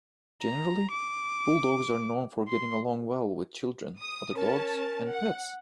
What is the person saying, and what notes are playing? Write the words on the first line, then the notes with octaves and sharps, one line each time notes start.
Generally, Bulldogs are known for getting along well with children, other dogs, and pets.
A#5
D6
C6
D#6
C#4 A#4 A5
F#5